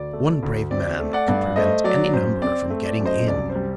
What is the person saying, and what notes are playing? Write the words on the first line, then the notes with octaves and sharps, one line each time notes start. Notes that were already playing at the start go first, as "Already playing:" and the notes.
One brave man could prevent any number from getting in.
Already playing: D2 D5
A3
D2
C4 D5
A3
D5 F#5
G2
A3 C5 D#5
F#3 D5
F#2 C5
C4 D5
A3
D5
F#2
C5 D#5
C2 D5
C5
G3